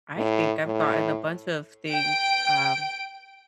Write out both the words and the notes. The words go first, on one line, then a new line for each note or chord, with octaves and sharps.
I think I've gotten a bunch of things, um,
A2
A2
G5 D7